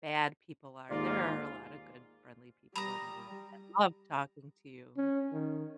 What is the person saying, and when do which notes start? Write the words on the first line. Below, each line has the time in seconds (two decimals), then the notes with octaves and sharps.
bad people are, there are a lot of good friendly people in the world that love talking to you.
0.91 D#2 G#2 A#3 F4 D5
2.76 G3 A#5 B5 D#6
4.97 C#4
5.32 D#3